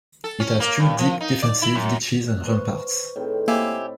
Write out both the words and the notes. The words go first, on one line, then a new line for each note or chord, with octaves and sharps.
It has two deep defensive ditches and ramparts.
A4
C#4
A#3
G2
F3
D#4
D5
E4
F#2
A#3 F#6
B4 C5 C#6
A2 D#3 C4 G#4 B4 C#5
A#3 E4 G4 C5 C#5 D#5 E5 G#5